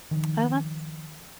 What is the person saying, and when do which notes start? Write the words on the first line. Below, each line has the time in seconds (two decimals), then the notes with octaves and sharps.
Oh, that's
0.11 D#3 F3